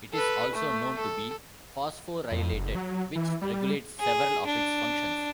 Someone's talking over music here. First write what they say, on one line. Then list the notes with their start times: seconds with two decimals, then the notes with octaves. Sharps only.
It is also known to be phosphorylated which regulates several of its functions.
0.13 A4 B4
0.53 A3
0.97 A4
2.32 F2
2.53 F#1
2.75 F#3
3.15 E3
3.42 G3
4.00 G#4
4.47 D4